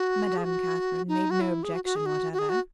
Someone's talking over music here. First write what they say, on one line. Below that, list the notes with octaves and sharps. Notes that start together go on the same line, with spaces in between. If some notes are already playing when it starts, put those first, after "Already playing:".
Madame Catherine--made no objection whatever.
Already playing: F#4
G#4
F#4
D#4
F#4
E4
G#4
F#4
F#4
G#4
F#4
F#4
G#4
F#4